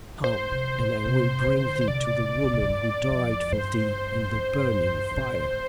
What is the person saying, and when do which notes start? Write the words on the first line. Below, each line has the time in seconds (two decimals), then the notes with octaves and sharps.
Come and I will bring thee to the woman who died for thee in the burning fire.
0.24 C5
0.51 C3
0.79 A2
1.06 C3
1.47 D3
1.81 C5
1.87 C3 D5
2.35 D#3
2.44 D3
2.53 C3
2.62 A#2
2.69 A2
3.11 F2
3.52 G2 C5
4.34 G2
5.11 G2
5.17 A2
5.53 A2